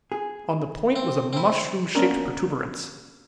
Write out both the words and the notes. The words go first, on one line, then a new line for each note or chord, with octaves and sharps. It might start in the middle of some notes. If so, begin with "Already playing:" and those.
On the point was a mushroom shaped protuberance.
G#4
C4
C4 E4
A#3 B3 C#4 D4 A#4